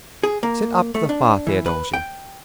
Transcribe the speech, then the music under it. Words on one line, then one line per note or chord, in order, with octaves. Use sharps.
Sit up to the fire, Theodosia.
G#4
A#3
A3
D4
E3
B4
G5